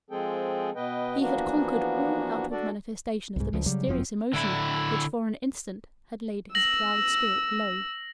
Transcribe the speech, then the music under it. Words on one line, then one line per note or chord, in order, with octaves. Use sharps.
He had conquered all outward manifestation of the mysterious emotion which for an instant had laid his proud spirit low.
F3 G#3 C4 G#4 A4 G5
B2 B3 B4 D#5 G5
E3 F3 A#3 B3 D4 F#4
D4 F#4 A4 D5
C2 G#2
C#2 F3
C#3 F#3 G3
G1 F#2 F3 C4
D3 E4
E6 A#6 F#7